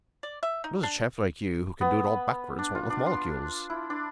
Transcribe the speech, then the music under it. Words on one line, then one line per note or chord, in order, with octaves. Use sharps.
"What does a chap like you, who can do it all backwards, want with molecules?"
D5
E5
D#4
D4
B3
B5
D4
F4
D4
C6
E4
D4